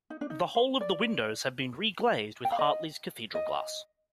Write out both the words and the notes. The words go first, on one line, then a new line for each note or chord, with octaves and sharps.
The whole of the windows have been reglazed with Hartley's cathedral glass.
D#4
D4
D#4
C5
D5
G5
F5
D#5
D#5